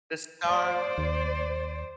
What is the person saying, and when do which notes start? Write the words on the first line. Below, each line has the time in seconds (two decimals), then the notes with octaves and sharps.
The star
0.49 C5 D5
0.98 D#2